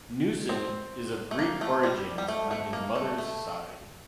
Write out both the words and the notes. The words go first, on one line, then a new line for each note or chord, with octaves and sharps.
Newson is of Greek origins on his mother's side.
C4
A3
A#3
A3
G3
G3
A3
A3
A#3
A3
A3